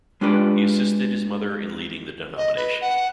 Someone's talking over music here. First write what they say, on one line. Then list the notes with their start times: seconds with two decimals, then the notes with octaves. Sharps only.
He assisted his mother in leading the denomination.
0.21 G#3 D4 F4 G4 B4 D5
2.37 D#5
2.56 B4
2.81 F#5